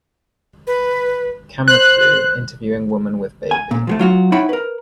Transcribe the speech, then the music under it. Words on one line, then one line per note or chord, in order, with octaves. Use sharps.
Camera crew interviewing woman with baby.
B4
C5 F#6
G#5
A#2
F3 F#3 A3
F#3 F4 F#4
D#4 E4 C#5 F#5 G5 B5
A#4 B4